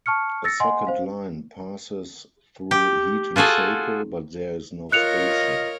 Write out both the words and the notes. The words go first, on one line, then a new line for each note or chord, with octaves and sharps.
A second line passes though Heaton Chapel but there is no station.
A5 C#6 F6 C#7
E6 A6 A#6 C#7
D#5 F#5 G#5 C6
C5 F5
G4
F4 F#4 G#4 A4
F4 A#4 C#5 D#5 F#6 C#7 F7